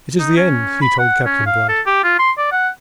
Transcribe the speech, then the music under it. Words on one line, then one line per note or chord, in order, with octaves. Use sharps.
"It is the end," he told Captain Blood.
D#4
C#4
B5
F#5
C#4
F5
A4
G4
F4
C6
D5
F#5